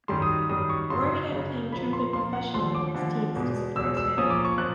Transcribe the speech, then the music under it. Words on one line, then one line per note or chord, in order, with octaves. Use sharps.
Roy began playing trumpet professionally in his teens to support his family.
F#2 D#3 G3 C6
D#6
F#2 D#3 G3 D#6
C#6
G1 F#2 C#3 C6
G1 F#2 C#3
A#2 F3 A#3 B5
C6
A#2 F3 A#3 C6
F#5
D#2 D3 F3 A3 C6
D6
D#2 D3 F3 A3
E2 B2 G#3
E2 B2 G#3 E6
E6
A#2 F3 A#3 C#4 D#6
D6
C#6
A#2 F3 F#6